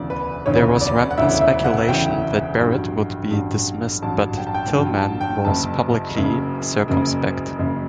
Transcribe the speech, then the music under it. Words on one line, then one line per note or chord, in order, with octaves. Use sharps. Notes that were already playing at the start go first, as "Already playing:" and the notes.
There was rampant speculation that Barrett would be dismissed, but Tillman was publicly circumspect.
Already playing: E1 D2 C#3 E3 D5
B4
E1 D2 C#3 E3 C#5
D5
F#5
E1 D2 C#3 E3 E5
E5
F#5
E1 D2 C#3 E3 G5
A1 G2 F#3
A1 G2 F#3
A1 G2 F#3 A5
G5
A5
G5
A1 G2 F#3 G5
A5
G5
F#1 F#2 C#3 A5
F#1 F#2 C#3
F#1 F#2 C#3
F#1 F#2 C#3